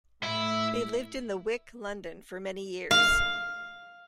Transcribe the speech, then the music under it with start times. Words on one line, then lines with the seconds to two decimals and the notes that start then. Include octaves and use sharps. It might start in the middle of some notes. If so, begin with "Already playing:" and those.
They lived in The Wick, London, for many years.
0.23 A2 E4
2.91 F5